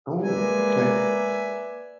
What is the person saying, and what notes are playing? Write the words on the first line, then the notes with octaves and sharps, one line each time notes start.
Oh, 'kay.
G#3 A#3 B4 D5 E5 G#5